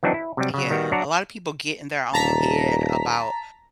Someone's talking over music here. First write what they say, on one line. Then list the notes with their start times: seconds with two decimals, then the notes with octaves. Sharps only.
Yeah. A lotta people get in their own head about
0.03 E3 F#3 C4 D4 D#4
0.14 E4
0.37 C3 F#3 G3
0.54 C#3 F#3
0.71 D#3 G3 B3 F#4
0.92 F#3 D4 F#4 C#5 D5 A#5
2.14 D#1 A5 A#5 B6